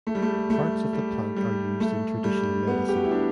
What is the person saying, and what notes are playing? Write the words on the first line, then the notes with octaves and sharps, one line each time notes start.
Parts of the plant are used in traditional medicine.
A3
G3
A3
A3
G3
G3
A3
G3
B3
G4
F#4
E4
D4